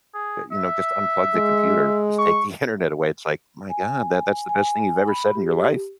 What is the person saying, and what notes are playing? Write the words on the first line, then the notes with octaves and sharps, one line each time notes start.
"You know, just unplug the computer, just take the internet away," it's like, "My god, that that's the best thing you've ever said in your life.
G#4
E5
G#3
C#6
G#5
G#5
B5
G4